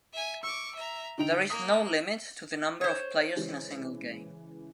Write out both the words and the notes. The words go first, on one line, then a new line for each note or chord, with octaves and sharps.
There is no limit to the number of players in a single game.
E5 G#5
C#6 D6 E6
E5 A#5
D3 D#4 G5 F7
A#3 D#6
C5 C#5
C#3 E3 G#3